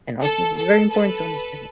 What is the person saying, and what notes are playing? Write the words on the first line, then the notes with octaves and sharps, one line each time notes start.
and honestly, it's very important to understand that,
A4
A4
A4 B4